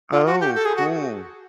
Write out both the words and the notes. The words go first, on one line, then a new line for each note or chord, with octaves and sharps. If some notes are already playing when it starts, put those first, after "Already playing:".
Oh, cool.
F4
F#4
G4
A4
G#4
F#4